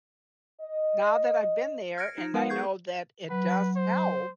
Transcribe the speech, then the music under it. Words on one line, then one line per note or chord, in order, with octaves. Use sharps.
now that I've been there and I know that it does help,
D#5
F6 G#6 A#6 C#7 D7
D#4
G#3 B3 A#4 B4 F5 F#5
G#4 C#6 G6 G#6 C7
F#3 B4
C5